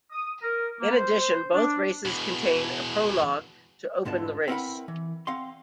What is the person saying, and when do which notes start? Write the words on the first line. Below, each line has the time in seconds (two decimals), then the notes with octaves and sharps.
In addition, both races contained a prologue to open the race.
0.11 D#6
0.42 A#4
0.79 A#3
0.96 C5
1.54 D4
2.06 E2 B2
4.05 D2 G#2 D3 B3 F4 A5
4.48 C4 E4 A#4 B4 F#5 B5
4.88 E3
5.27 C4 F5 F#5 C6